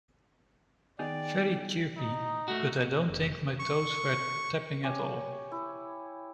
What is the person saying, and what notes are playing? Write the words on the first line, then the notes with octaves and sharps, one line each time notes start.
Very chirpy, but I don't think my toes were tapping at all.
D#3 B3 D#4 G#4 D5 G5
D#4
A3 F#4
F1
C#6
G4 C#5 G#5
E4